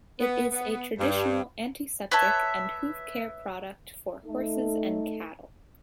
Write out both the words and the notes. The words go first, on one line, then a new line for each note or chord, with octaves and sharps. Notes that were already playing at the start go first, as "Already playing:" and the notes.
It is a traditional antiseptic and hoof care product for horses and cattle.
B3
B3
G2
B4 C#5 E5 A5
A3 D#4 A4